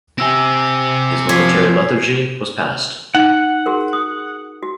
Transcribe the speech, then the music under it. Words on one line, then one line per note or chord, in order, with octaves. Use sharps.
His momentary lethargy was past.
C4 G4 G#5 E6 A#6
F3 G#6 B6 C7
D#4 F#5
F#4 G#4 A#4
D#6
F#4